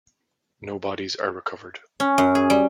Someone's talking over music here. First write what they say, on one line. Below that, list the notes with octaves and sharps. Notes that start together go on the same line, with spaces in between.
No bodies are recovered.
C#4
F#2
G#4
G3